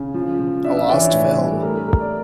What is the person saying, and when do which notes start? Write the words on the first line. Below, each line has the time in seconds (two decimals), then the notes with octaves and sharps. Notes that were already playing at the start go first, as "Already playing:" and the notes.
A lost film.
Already playing: C#3
0.14 F3
0.39 F3
0.65 D4 E5
0.77 E5
0.89 E3 D5
1.02 C#5
1.13 A2
1.38 G3
1.52 A4
1.62 A3 A#4
1.75 A4
1.87 A3 A#4
2.00 D5